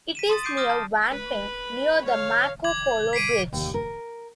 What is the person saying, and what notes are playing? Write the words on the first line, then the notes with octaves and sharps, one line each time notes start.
It is near Wanping, near the Marco Polo Bridge.
B6 D#7 E7
C6 D#6 A6
D6 G6 C7 D7 D#7
D6 D#6 F6 A#6
A5
B4 B5
C#5 F5
D6 G#6 F#7
B6 C7 D7 D#7
D#2
A#4